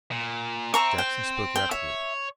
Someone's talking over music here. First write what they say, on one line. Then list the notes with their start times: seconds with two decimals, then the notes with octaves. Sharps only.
Jackson spoke rapidly.
0.11 A#2
0.74 C4 E5 A#5 C#6
0.98 G5
1.56 G5
1.71 C#5 E5